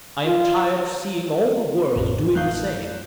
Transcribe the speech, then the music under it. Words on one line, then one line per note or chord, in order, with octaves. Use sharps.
I am tired of seeing all the world doing the same.
F4
A1 F2 A2
A3 D#4 F5 F#6 G6